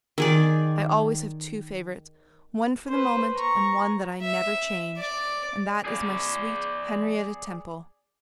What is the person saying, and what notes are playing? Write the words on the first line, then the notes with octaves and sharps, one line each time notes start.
I always have two favourites: one for the moment, and one that I never change, and that is my sweet Henrietta Temple.
D#3 G#4 D5
B4 C5
A#5 C#6
E5
D5
G#4 D5